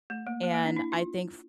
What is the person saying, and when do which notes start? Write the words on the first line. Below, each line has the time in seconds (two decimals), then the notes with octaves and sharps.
and I think f
0.10 A3
0.27 A#3
0.43 A#3
0.54 A#3
0.65 D4
0.76 E4
0.92 F4